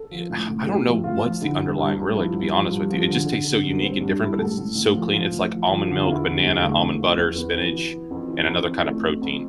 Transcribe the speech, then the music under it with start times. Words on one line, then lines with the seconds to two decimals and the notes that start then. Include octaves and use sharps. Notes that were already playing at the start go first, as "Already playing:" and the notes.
yeah, I don't know what's the underlying, really, to be honest with you, it just tastes so unique and different, but it's s so clean, it's like almond milk, banana, almond butter, spinach, and another kinda protein,
Already playing: A4
0.11 F3
0.30 A2
0.48 A2
0.66 A2 G4
0.86 F3
1.04 A2 F4
1.22 F3
1.41 D3 E4
1.60 G2
1.78 G2
1.96 G2
2.15 F3 E4
2.34 G2
2.53 F3
2.71 G2
2.90 F3
3.08 D3
3.26 D3
3.45 D3
3.64 G2 D4
3.77 B3
3.82 G2 C4
4.01 G2 D4
4.20 G2 E4
4.38 A2 A4
4.57 A2
4.75 A2
4.94 F3
5.12 F3
5.31 A2
5.50 F3
5.69 F3
5.87 D3
6.05 E2 F4
6.11 E4
6.24 D3
6.36 G3
6.43 E2
6.53 G3
6.61 D3 A3
6.80 E2
6.98 F3
7.17 E2
7.35 F2 B3
7.54 E3
7.73 E3
7.91 E3
8.11 F2
8.28 E3
8.47 F2
8.66 E3
8.84 F2 A3
9.03 F2
9.21 F2